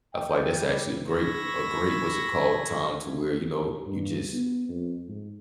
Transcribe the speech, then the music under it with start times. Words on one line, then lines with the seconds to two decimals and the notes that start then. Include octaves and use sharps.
I feel like that's actually a great a great, what's it called, time to where, you know, you just
0.15 G5
0.58 G3
1.13 B5 C#6 E6 G#6 A#6
3.86 G2
4.33 B3
4.69 F2
5.08 G#2